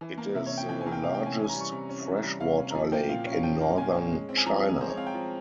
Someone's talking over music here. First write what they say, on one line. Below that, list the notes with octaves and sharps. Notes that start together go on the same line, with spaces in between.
It is the largest freshwater lake in northern China.
E3
A#3
C3 E5
C#5
C#4
G5
E3 G5
G#5
A#3
G5
C3 F5
G5
C#4
G#5
E3
G#5
A#5
G3
C#6
C3
C#4
E3
G3
C3 F5
C#4
A#5
F3 G#5
A#3 G5
A#2 F5
C#4
F5
F3 G5
A#3
A#2 G#5
C#4
G#3
C4
G#5
F3 A#5
F3
G#5
G#3 C5
C#5
C4 F5
G5
F3